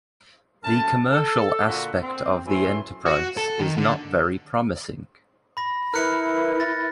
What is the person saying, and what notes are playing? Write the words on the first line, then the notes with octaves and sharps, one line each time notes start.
The commercial aspect of the enterprise is not very promising.
F#2 A3 A#4 A5
A4
A#2 D3 F#4
C4
F#2 A2 E3 F#3 A3 C6
F#4
A4
D#3
D3
B5 A#6
E4 A#4 B4 F6 F#6 C#7
A6 A#6